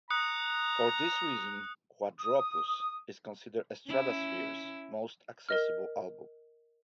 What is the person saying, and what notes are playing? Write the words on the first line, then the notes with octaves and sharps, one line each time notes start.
For this reason, "Quadropus" is considered Estradasphere's most accessible album.
A#5 D#6 F#6 C#7
D#6
C#4 E4
A#4 D#5 F6